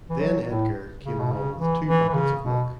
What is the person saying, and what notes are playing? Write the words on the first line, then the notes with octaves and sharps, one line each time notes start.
Then Edgar came along with two buckets of milk.
E3
F#3
A2
C#3
B2
C#3
E3
E3
E3
C#3
B2